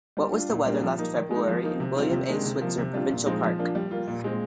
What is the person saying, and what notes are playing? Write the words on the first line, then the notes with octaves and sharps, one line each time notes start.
What was the weather last February in William A. Switzer Provincial Park?
G3
D4 F4
A#2
G3 A#3 D4
F3
A#3 D#4
D#3
G#3 D#4
F3
A#3 D#4
C3
G3 C4 F4
C3
D#3 G#3 D4
C3
F3 A#3
C3
G3 D4 F4
A#2
F3 G#3 C4 D#4
F3
A#3 D4 F4
G3
A#3 F4
A#2
G#3 C4